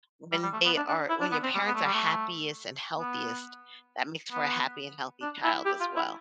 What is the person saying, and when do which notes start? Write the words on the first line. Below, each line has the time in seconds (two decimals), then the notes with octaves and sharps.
when they are when your parents are happiest and healthiest, that makes for a happy and healthy child as well.
0.32 G3
0.43 G3
0.53 A3
0.65 B3
0.76 D4
0.88 D4
1.09 E4
1.20 D4
1.31 B3
1.43 C4
1.54 G3
1.65 B3
1.75 A3
1.85 G3
1.94 A3
2.99 B3
4.32 B3
5.21 D4
5.44 E4
5.65 G4
5.80 F4
5.96 E4